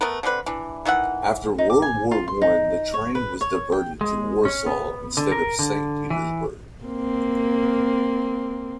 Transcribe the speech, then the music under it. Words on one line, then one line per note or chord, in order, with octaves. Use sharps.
After World War One the train was diverted to Warsaw instead to Saint Petersburg.
A3 B3 A#4 B4
D3 C4 D4 B4
E3 D4
D#3 E3 E5 F#5
D#4
D6
G#5
F4
C6
D#4
C#5
B4
C#5
G5
G#3
C#4
B3
D3
A#4
D3
E3
A#3 C4